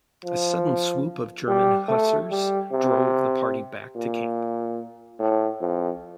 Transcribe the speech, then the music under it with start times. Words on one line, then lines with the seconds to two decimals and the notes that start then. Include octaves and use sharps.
A sudden swoop of German hussars drove the party back to camp.
0.24 F3
1.48 G3
1.89 A3
2.30 G3
2.72 C3
3.96 A#2
5.19 A2
5.61 F2